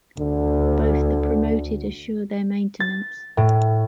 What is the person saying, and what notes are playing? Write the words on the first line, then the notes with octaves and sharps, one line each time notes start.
Both the promoted assure their maintenance.
D2 D3
A6
A2